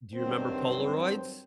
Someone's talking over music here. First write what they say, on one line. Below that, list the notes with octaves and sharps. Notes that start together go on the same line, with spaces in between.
Do you remember Polaroids?
G2 D#3 F#3 C4 C5